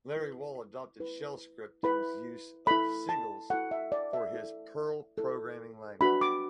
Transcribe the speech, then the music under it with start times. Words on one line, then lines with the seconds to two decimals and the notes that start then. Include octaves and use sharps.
Larry Wall adopted shell scripting's use of sigils for his Perl programming language.
0.16 E4 B4
1.00 E4 B4
1.83 E4 B4 B5
2.67 E4 A4 B5
3.09 A5
3.50 E4 A4 F#5
3.71 E5
3.92 D5
4.13 E5
4.33 E4 A4
5.18 E4 A4
6.01 D4 F#4 B4 B5
6.21 D6